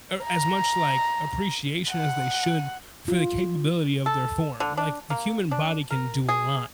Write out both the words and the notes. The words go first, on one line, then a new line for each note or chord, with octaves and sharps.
or as much, like, appreciation as they should for the capability of their form, like the human body can do a lot,
A#5
F#5
F4
A4
D3
D4
A#3
D4
A#4
G#4